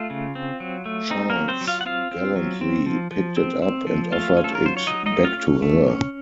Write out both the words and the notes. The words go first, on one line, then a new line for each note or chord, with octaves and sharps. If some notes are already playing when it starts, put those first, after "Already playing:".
Charles gallantly picked it up and offered it back to her.
Already playing: A3 F4
C#3
C4
F#3
A3
C4 D#4
A#3 A#4
F#3
C4 C5
F#3
F4 F5
F#5
C4 F4 F5
C4
F#3
C4
F3
F3
C4
C4
F3
A3 F4 F5
C#4
A4
A#4
F#3 C5
C#5
F#3 D#4 D#5
D#4 D#5
A3
F4 F5
C#4
A3
C#4